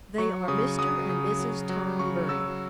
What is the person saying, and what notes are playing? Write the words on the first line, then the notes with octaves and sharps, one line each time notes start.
They are Mr. and Mrs. Tom Burney.
F#3 C#6
C#3 D#6
F#3 D#6
C#3
F#3
F#3
C#3 C#6
F#3 E6